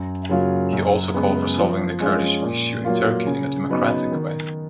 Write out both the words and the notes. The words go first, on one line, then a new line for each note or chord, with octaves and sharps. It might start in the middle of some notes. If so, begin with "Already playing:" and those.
He also called for solving the Kurdish issue in Turkey in a democratic way.
Already playing: F#2
C#3 F#3 A#3 F4
F#2
C#3 G#3 B3
F3
G#3 C#4 F4
A#2
F#3 A#3 F4
C#3
F#3 B3 D#4
D#3